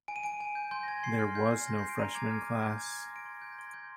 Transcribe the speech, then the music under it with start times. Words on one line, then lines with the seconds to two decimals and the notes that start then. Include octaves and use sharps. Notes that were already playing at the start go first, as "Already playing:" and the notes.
There was no freshman class.
0.08 G#5 D7
0.16 D#7
0.23 G#5 D7
0.41 G#5
0.55 G6
0.71 C6 G6
0.83 A#6
0.88 G#5 G#6
1.03 C6 C7
1.19 F6
1.35 G6
1.51 C6
1.67 G6 A#6
1.78 G6 C7
1.89 D7
1.99 A#5 D#7
2.15 D6 G#6
2.31 F6
2.47 D6
2.63 G#5 G6
2.78 G#5 G#6
2.94 G#5 G#6
3.05 A#6
3.11 C6
3.16 D7
3.26 C6
3.42 G6
3.52 A#6
3.58 C6 G#6
3.74 C6 G6